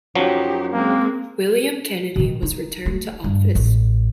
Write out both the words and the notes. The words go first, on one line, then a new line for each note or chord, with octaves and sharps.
William Kennedy was returned to office.
F#2 F3 F#3 D#4 G4
G#3 A#3 C4
B2 D#3
D#4
A3
G2
A1